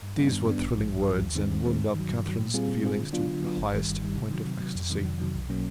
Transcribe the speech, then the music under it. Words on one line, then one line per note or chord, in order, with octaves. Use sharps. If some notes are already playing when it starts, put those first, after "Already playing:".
These were thrilling words, and wound up Catherine's feelings to the highest point of ecstasy.
G2
D#3 G3 B3 D4
G2
D#3 G3 B3 D4
A#1
G#2 F3
A#1
G#2 F3
D#2
D#3 G#3 C4
D#2
D#3 G#3 C4
G2
D#3 F#3
G2
D#3 F#3
A#2
G3 C4 F4 G#4
A#2
G3 C4 F4 G#4
D3
F#3 B3 D4 F4
D3
F#3 B3 D4 F4
G1
G2 D#3 G3
G1
G2 D#3 G3
C3
D#3 F#3
C3
D#3 F#3
F2
C3 D#3 F#3
F2
C3 D#3 F#3
B1
B2 F#3 A#3 C#4